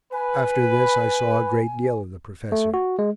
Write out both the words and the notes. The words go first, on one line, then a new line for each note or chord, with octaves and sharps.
After this I saw a great deal of the professor.
B4 G#5
A3
F#4
G#3